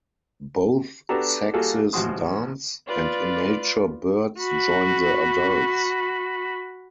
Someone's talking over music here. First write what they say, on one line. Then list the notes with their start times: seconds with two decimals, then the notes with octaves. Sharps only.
Both sexes dance, and immature birds join the adults.
1.09 B3 D4 F#4 G4 A4 A#5
1.54 G3 A#3 F4 F#4 G#4 A4
1.93 A1 G#2 F3 F#4 C6 D#6
2.87 F4 B4 D5
4.39 F#4 B5